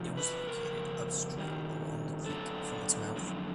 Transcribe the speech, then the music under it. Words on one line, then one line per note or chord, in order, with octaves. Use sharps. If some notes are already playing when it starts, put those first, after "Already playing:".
It was located upstream along the creek from its mouth.
Already playing: E2 C3 F3
B4
F2 C#3 A#4
G2 D#3 G3
G2 D3 F#3 A4
F2 D3 F#3